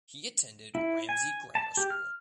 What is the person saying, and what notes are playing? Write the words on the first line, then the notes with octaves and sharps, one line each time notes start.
He attended Ramsey Grammar School.
E4
G#5
A5
G4
F6